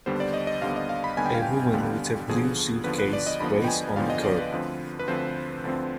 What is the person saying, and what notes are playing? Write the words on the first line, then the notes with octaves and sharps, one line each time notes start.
A woman with a blue suitcase waits on the curb.
D#2 D3 G3 B3 C5
D5
D#5
D#5
D#2 D3 G3 B3 F5
D#5
F5
B5
D#2 D3 G3 B3 G#5
G5
F5
G5
D#2 D3 G3 B3
D#2 D3 F3 B3 G#4
D#2 D3 F3 B3 B4
B4
D5
D#5
D#2 D3 F3 B3 B5
G5
G#5
D#2 D3 F3 B3 F5
D#5
D5
B4
D2 D3 F3 C4
B4
D2 D3 F3 C4 C5
D2 D3 F3 C4